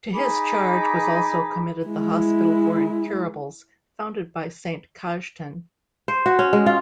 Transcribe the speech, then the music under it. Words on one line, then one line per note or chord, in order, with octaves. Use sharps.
To his charge was also committed the hospital for incurables, founded by Saint Cajetan.
D#4 G#4 B5 D6
G#3 E4
C5
F#4
C#4
G#3
F4